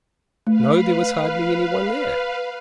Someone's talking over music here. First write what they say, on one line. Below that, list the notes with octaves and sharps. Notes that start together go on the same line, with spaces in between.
No, there was hardly any one there.
A3 B4 F5